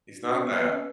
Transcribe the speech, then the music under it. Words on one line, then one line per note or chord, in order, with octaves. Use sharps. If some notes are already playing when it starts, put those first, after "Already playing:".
He's not that
D#4 F#4
C#4
B3
A#3 B4
B3
C#4